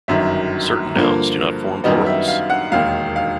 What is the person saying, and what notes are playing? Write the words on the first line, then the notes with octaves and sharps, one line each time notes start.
Certain nouns do not form plurals.
G1 F#2 D#3 E5
G2 D3 F3 A#3
F#2 D#3 G3 B3 D#5
E5
F5
F#5
E1 D#2 D#3 F5
F5